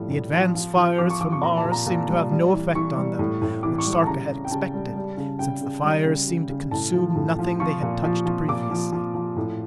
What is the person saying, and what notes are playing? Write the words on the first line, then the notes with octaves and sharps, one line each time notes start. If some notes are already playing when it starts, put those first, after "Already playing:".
The advance fires from Mars seemed to have no effect on them, which Sarka had expected, since the fires seemed to consume nothing they had touched previously.
Already playing: A2 F3 G3
A2
F3
F3
F3
F3 D6
C#6
F3 D6
C#6
A#2 A#5
A5
A#2
A#5
A#2
G3
G3
E3
E3 C#6
G3
A2
A2
E3 D6
C#6
G3
C#6
A5
C#3 A#5
C#3
G5
C#3 A5
G3
G3
C#3
C#3 G5
C#3
G3
C#3
C#3
C#3
A2 A5
F3
A2
F3
F3 C#6
A#2
F3
F3
A#2 D6
F3
F3
F3
A2